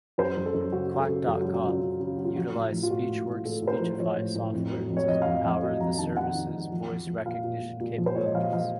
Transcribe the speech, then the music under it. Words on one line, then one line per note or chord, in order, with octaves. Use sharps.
Quack dot com utilized SpeechWorks' Speechify software to power the service's voice recognition capabilities.
F#2 C5
F#2
A4
F#2
C#3 F#4
F#3 F#4
A4
C#3
F#2 A4
F#4
F#3
F#4
C#3 F4
C#3
C#3
F#3
F4
F3 F#4
A2
F3
F4
A2 F#4
A2
A2
A2 A4
A2
C5
A#4
F3
F3 C#5
A2
A2
F2
F#3
F2
C#5
F2 D#5
F2 F5
D#5
F2 F5
F#3 D#5
F2 A#5
D#3 A5
D#3 F#5
D#3
F2
F3
F3
F3
A#2 F5
A#2
A#2
A#2
F3
C5
A#2 C#5
D#5
F3 F5
D#5
F3 F5